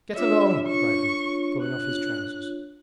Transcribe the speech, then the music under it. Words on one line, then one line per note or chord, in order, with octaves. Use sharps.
'Get along,' cried Luke, pulling off his trousers.
D4 F4 C#5 E5
C#6
F#6